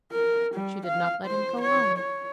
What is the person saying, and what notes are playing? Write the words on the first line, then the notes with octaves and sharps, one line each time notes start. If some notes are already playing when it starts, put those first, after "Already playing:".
She did not let him go on.
A#4
G3
F5
C5
C#5
C#5